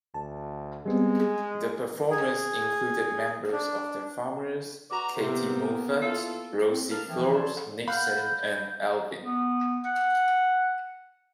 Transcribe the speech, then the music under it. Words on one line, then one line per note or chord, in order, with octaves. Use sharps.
The performers included members of the Farmers, Katy Moffatt, Rosie Flores, Nixon, and Alvin.
D2 A5
G3 G#3 B3 C4
G#4
G#4
D4
F#4 B4 D5 A#5
C3 A#3 B3
E4 F4 A4
C4
A#3 A4 A5 F6
E3 F3 G5
A4 D5 C6 G#6
F5 F#5 B5 F6 G6
B3
F#5